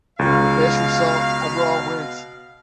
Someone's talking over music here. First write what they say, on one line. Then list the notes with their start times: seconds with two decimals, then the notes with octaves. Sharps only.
The best result overall wins.
0.19 C#2 B2 F5